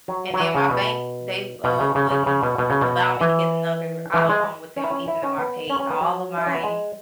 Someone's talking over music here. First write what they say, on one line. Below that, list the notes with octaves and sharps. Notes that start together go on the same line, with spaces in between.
And then my bank, they, uh, wouldn't allow me to get another auto loan with them even though I paid all of my
F#3
F#3
E3
C#3
B2
B2
C#3
C#3
C#3
C#3
B2
B2
C#3
B2
E3
E3
G#3
C#4
E4
C#4
E4
C#4
B3
C#4
C#4
B3
F#3
E4
C#4
B3
G#3